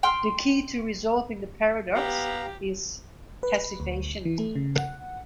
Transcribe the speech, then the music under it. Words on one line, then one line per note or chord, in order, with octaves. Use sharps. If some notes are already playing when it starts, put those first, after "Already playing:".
The key to resolving the paradox is passivation.
G5 C6 F6
B3 G4 F5 A#5
B4
D2
E3
A3
C#3
F#5